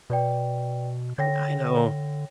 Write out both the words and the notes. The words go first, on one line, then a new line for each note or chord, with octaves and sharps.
I I know.
B2 B4 D5 G5
D3 C#5 G5 A#6